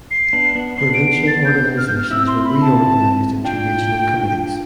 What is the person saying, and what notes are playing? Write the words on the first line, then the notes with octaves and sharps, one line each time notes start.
Provincial organizations were reorganized into regional committees.
C7
B3 D4
B3 D4
B3 D4 C7
D7
C7
A6
G6
F6
G6
F6
C4 E4 E6
C6
B5
A5
D4 F4 G5